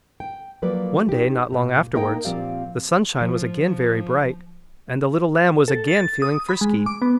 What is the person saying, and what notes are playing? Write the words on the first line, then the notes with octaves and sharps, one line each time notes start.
One day not long afterwards the sunshine was again very bright and the little lamb was again feeling frisky.
G5
F3 F#3 A#3 B4 D5
D#4 G4
A#2
A#3 D#4 A#4 D#5 G5
A#2 F3 C4 G4 D5 F5
F3
A4
A6
D#6
B5
G#3
D6
B3